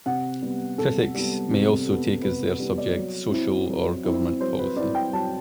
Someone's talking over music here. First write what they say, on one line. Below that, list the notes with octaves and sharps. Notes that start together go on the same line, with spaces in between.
Critics may also take as their subject social or government policy.
C3 F#5
G3 B3
C3 A4
G3 B3
C3
G3 B3
C3 B4
G3 B3
D5
F#3
C4 E4
F#3
C4 E4
F#3 C5
B4
C4 E4 D5
G5
F#3 A5